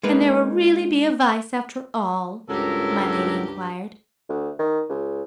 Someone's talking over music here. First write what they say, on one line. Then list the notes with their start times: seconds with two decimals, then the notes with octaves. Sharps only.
"And there will really be a Vice after all?" my Lady enquired.
0.03 G#3 A#3 D#4 B4
2.49 C#2 G2 F3 F#3 G4 A4 A#4
4.29 D2
4.59 D#3
4.89 C#2